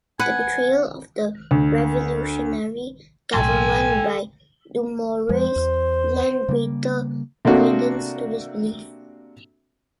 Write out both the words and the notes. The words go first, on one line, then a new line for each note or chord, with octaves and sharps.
The betrayal of the revolutionary government by Dumouriez lent greater credence to this belief.
B4 F#5 G#5
D2
B1 A2 F#3 A4 G5 G#5 C6
F2 F3 G#3 C5
E2
C#3 G3 A#3
C3 A3 A#3 C4 D4 F#4